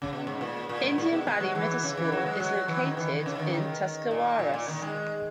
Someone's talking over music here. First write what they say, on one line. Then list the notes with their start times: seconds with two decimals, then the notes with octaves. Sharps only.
Indian Valley Middle School is located in Tuscarawas.
0.02 C#3
0.13 B2
0.27 G#2
0.41 A#2
0.69 A#2
0.83 G#2
0.98 A#2
1.13 B2
1.27 G#3
1.40 F#3
1.55 E3
1.83 C#3
1.97 E3
2.12 F#3
2.26 G#3
2.40 F#3
2.68 E3
2.83 D#3
2.97 E3
3.19 D#3
3.26 C#3
3.35 E3
3.39 D#3
3.49 E3
3.54 D#3
4.11 A#2
4.39 A#2
4.54 A#2
4.68 D#3
4.82 G#3